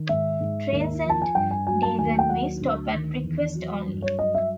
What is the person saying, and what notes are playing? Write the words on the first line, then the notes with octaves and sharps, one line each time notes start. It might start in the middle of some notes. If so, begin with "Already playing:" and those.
Trains at Deganwy stop at request only.
Already playing: D#3
G#2 E5
G#2
D#2
F3
A5
G#5
G2 G5
G#5
F#3 G#5
A5
D#2 G#5
G5
F#3 F#5
D2
D#3
E2
F#3
G2
C#5
F#3 D#5
E5